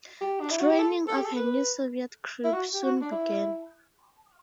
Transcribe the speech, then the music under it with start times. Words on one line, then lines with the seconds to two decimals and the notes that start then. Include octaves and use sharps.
Training of her new Soviet crew soon began.
0.21 G4
0.41 D4
0.51 E4
0.59 F#4
0.69 G4
0.79 A4
1.08 A4
1.16 G4
1.25 A4
1.36 B4
2.44 E4
2.53 F#4
2.74 G4
2.83 F#4
3.01 D4
3.11 E4